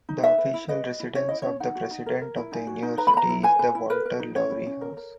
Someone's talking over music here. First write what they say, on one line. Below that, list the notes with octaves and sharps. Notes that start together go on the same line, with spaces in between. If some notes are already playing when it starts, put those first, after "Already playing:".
The official residence of the president of the university is the Walter Lowrie House.
D#4
B4 E5
B4
E4
B4 D#5
B4
E4
C#4 C#5
E4 D#5
C#4 C#5
D#4 F#5
F#4
D#4
A#4
A#4
E4
D#4 G#5
F#4
D#4
B4 A#5
B5
B4 A#5
E4
B4 G#5
B4
E4
A#4 B4
A#4
D#4
C#4 C#5
E4
C#4
A#4
A#4